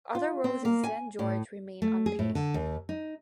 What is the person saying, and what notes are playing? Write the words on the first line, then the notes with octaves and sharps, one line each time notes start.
Other roads in San Jorge remain unpaved.
F4
C4
A#3
G#5
A2
A3
G#4
A2
D3
D#2
D#4